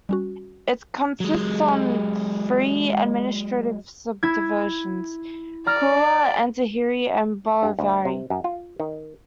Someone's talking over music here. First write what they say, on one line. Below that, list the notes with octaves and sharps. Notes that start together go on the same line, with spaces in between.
It consists of three administrative subdivisions : Kurla, Andheri, and Borivali.
G3 C#4 F#4
F#3 G#3
E4 G#6
D5 A#5 F6
G2
D2
C3
F#2
F4
D#3